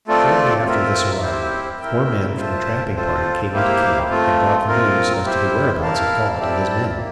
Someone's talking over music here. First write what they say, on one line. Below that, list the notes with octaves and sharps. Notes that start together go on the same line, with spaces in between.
Shortly after this arrival, four men from the trapping party came into camp and brought the news as to the whereabouts of Gaunt and his men.
A3 C4 F4 A4 D5
C4 F4 A#4 E5
C4 E4 G4 C5
E4 A#4 E5 G5
F4 C5 E5 A5
C4 F4 A4 C5
A#3 E4 G4 C5 F5
A3 C4 F4
C4 F4 A#4
E4 G4 C5
E4 A#4 F5 A5
C4 E4 G4 D5 A5
A#3